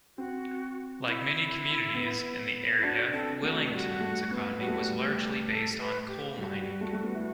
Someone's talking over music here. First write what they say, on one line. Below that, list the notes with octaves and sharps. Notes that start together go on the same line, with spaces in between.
Like many communities in the area Willington's economy was largely based on coal mining.
C4 F#4
E4
B3
E4
D4 F#4
C4 A4
A3 F#4
G3 F#4
A3
B3
G3 F#4
A3
G3
G4
A4
B4
G4
G3 F#4
G3
A3
A3
B3
E4